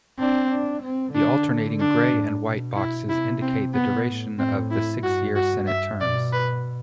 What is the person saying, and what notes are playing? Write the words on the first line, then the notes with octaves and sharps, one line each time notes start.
The alternating grey and white boxes indicate the duration of the six-year Senate terms.
C4 D4
D4
C4
D3 D4
D4
A2
B2
E4
C3 E4
C4
B3
A2
A2 C4
E4
G2 F#4
F#4
E5
B2 D5
B4